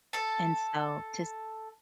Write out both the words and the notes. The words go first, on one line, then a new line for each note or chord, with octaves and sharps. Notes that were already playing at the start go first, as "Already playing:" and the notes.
And so to
A4 A5